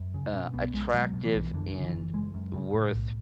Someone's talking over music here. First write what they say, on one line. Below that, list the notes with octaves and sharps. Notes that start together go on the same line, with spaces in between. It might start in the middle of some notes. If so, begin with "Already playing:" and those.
uh, attractive and worth
Already playing: F#2
C#3
B2 C#4
B1 B3
B1 G#3
B2 F#3
B2
E3
B1
F#2 D3
C#3
E3
F#1
F#1 G#3
F#2
C#3
A2
B1